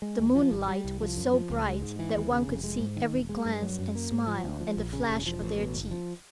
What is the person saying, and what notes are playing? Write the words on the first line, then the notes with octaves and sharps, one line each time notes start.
The moonlight was so bright that one could see every glance and smile, and the flash of their teeth.
G#3
D#2
F3
G#1
G3
C2
F3
F#2
F3
C#2
G#3
G#2
E3
D#2
C#3
F1
G#3
G#2
D#3
E1
G#3
G2
F#3
F#2
A#3
G#2
F3
D2
F3
A#1
C#3
E1
F3
A1
B2
F#1
F3